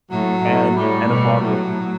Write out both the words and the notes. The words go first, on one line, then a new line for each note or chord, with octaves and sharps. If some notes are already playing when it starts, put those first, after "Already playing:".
and and a bottle of b
A2 F#3
A2
A2 G3
B2
A2 F#3